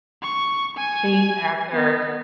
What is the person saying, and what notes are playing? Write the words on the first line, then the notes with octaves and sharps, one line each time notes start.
chased after,
C#6
G#5
B3